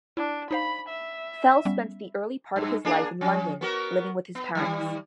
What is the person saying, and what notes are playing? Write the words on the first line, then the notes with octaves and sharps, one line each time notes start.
Fell spent the early part of his life in London, living with his parents.
D4 E4
D#4 C5 F5 B5
E5
G3 B3 C#4
G2
A#3 D4 G#4
F3 C#4
B3 F#4 A#4
B3
D#3 G3